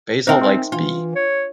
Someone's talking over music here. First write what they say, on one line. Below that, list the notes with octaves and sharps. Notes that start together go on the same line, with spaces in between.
Basil likes Bee.
C4 D#4 A#4 C5 E5 G5
G#5 C6
E3 D4 F4
C#5